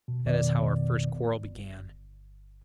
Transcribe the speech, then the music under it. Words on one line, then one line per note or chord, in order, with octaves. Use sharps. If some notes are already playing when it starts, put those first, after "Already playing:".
That is how our first quarrel began.
B2
G#1 F2 B2 D#3 B3 D5
G1